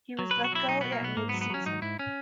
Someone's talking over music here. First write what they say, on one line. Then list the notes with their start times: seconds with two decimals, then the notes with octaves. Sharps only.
He was let go at mid season.
0.19 F#3
0.31 B4
0.36 B2
0.44 F#4
0.52 F#3 E4
0.68 B1 D#4
0.81 B2 B3
0.92 A#3
1.01 B1 B3
1.17 G#2 A#3
1.29 B3
1.34 F#3
1.41 B3
1.50 F#3 C#4
1.66 G#2 D#4
1.82 G#2 E4
1.99 C#4